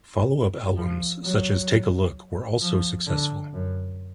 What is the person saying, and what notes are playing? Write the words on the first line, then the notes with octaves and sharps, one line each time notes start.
Follow-up albums such as "Take a Look" were also successful.
F3
F#3
F3
D3
F#2